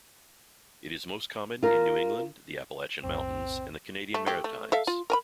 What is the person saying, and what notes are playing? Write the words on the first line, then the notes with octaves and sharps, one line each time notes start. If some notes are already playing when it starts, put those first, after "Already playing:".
It is most common in New England, the Appalachian Mountains, and the Canadian Maritimes.
F4 A#4
B1 F2 A2 C4
A3
A3 G4
A3
A4 E5 F5
F4
A#4 G#5 B5